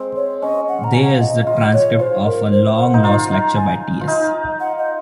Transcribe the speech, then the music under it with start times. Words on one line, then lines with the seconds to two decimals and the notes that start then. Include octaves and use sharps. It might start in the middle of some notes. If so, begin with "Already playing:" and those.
There's the transcript of a long-lost lecture by T. S.
Already playing: G#3 C4
0.16 C#5
0.42 C#4 D#5
0.68 F#5
0.84 A#5
0.93 G#5
1.02 F#5
1.12 F5
1.21 D#5
1.46 F4 D#5
1.73 C#5
1.99 F4 C5
2.26 A#4
2.52 C5
2.78 F#5
2.94 D#4
3.03 F4 A#5
3.39 A#5
3.56 G#5
4.01 F4
4.08 D#4
4.60 F#5
4.78 D#5